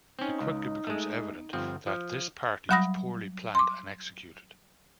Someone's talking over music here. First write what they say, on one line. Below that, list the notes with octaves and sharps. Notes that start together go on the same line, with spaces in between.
It quickly becomes evident that this party is poorly planned and executed.
C4 C#4 D#4
C#2
G#3 A3
G1 F3 C4
F3
F#3 G3 F#5 B5 D#6 A#6
C6 D6